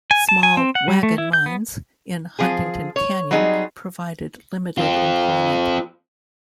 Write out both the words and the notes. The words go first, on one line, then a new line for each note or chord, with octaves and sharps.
Small "wagon mines" in Huntington Canyon provided limited employment.
G#5
A5
G#5
C4
F#5
G3
A3
E4
G6
B3
F3 C4 G#4
C#5
F#3 G3 C4 D#4 G#4
C4 F4